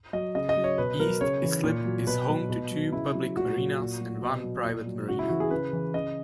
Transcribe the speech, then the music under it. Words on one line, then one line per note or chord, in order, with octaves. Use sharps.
East Islip is home to two public marinas and one private marina.
F#3 D#5
C#3 D#5
D#5
F#3
C#5
B2 B4
F#3 A#4
C#3 C#5
E3
A#2
F#3
B2 B4
F#3
B2
F#3
C#3 E4
F#3
A#2 F#4
F#3
A#2
F#3
B2
F#3
A#2
F#3
C#3 F#4
E4
E3 F#4
G#4
C#3 B4
E3
C#3 D#5